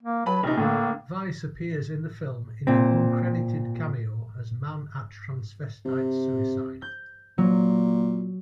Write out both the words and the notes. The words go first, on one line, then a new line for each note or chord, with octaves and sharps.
Weiss appears in the film in an uncredited cameo as man at transvestite's suicide.
A#3
F#3 B4 A5 B5
A#1 C3 D#4
A2 D3 A#3
A#2 C4
C3
G6
A#2 F#3